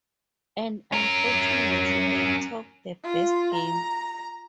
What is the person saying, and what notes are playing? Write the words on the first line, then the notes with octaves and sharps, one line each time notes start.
And unfortunately they talk the best game.
C#4 A#4
F4
A#5